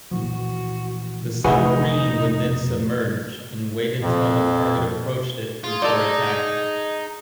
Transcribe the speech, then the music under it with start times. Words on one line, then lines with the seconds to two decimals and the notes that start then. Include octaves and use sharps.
The submarine would then submerge and wait until the target approached it before attacking.
0.11 A#2 E3 F3 F#4
1.44 F1 D#4 F#4 G#4 B4
4.01 F2 A#2
5.64 F4 G#4
5.82 D#4 A4 D5